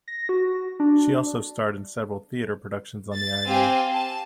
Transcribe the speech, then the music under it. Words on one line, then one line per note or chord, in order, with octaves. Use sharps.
She also starred in several theater productions on the island.
A#6
F#4
D4
A6
C4 G4 F5 G#5
A5